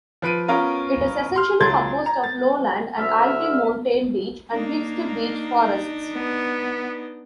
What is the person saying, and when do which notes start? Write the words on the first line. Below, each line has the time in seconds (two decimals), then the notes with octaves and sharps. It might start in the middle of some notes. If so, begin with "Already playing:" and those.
It is essentially composed of lowland and alti-montane beech and mixed beech forests.
0.22 F3 B4 D7 D#7
0.48 B3 C#4 F4 A#4
1.36 C6 F6
1.60 C#2 F#3 C6 G#6 A6
2.06 A#5
2.24 A6
2.98 D2 E5 F6
4.50 A#3 D4 D#4
6.13 B3